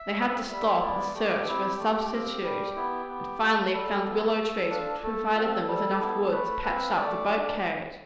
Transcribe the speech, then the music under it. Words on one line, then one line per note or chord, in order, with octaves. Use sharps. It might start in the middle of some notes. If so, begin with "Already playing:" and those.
They had to stop and search for a substitute, and finally found willow trees, which provided them with enough wood to patch up the boat-carriage.
Already playing: E5
C4 F4
G3 E5
B3 E4 D5
A3 G4
C4 E4
A3
C4 F4
G3
B3 E4
B3
F4
G3 A4
B3 E4
A3
D4 F4
A3 A4
C4 F4
G3 A4
B3 E4
A3 B4
C4 F4 B4
A3 D5
D4 F4